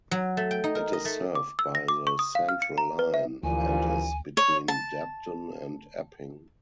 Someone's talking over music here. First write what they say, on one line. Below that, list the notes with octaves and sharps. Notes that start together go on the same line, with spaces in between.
It is served by the Central line and is between Debden and Epping.
F#3
A3
G5
D#4
A#4
D#5
A3
D6
E6
A#6
D6
C#6
D#6
F5
F6
C#7
A#5
B4
E5
D2 G2 A#2 E3 F3 G#5
C#5
A5